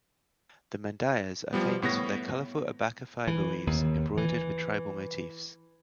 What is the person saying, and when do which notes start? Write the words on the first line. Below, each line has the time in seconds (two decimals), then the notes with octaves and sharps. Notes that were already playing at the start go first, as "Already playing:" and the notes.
The "Mandayas" are famous for their colorful abaca fiber weaves embroidered with tribal motifs.
1.53 F3 G3 B3
1.82 A2 B3 C#5 A#6
3.27 E3
3.67 D#2
4.17 E3